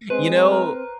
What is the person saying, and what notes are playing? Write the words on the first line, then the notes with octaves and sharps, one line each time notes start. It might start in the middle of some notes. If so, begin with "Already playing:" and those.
You know
G#3 C4 B4 C5
A#4